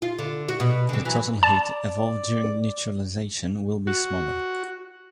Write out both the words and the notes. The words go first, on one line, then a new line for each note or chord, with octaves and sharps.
The total heat evolved during neutralization will be smaller.
F4
D3
F#4
B2
D3 C4
E3 F#3
D5 A5
F#4